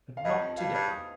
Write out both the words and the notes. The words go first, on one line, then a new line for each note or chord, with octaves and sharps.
But not to-day.
F5
G2 D#5
F2
G2 F5
G2
D#6